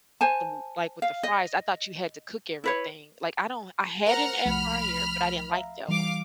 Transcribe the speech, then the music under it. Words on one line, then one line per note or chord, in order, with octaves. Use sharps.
the like, with the fries. I thought you had to cook everything, like, I don't I had an air fryer, but I didn't like that one.
C5 G#5 A5
F5
D#5
E4 B4 C#5
A#4 C5 F#5 A#5 F6
C2 F3 A3 B5 F6
E5 F5 A#5
E3 G3 F5 D6